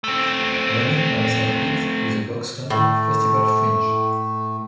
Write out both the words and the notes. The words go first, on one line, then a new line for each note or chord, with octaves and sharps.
Running alongside it is the Buxton Festival Fringe.
A3 C4
A2 A3